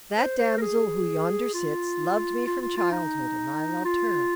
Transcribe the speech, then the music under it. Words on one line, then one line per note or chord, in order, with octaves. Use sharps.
That damsel who yonder sits, loved me from childhood and I loved her.
C5
C5
A#4
G#4
F4
F4
F4
F4
D#4
F4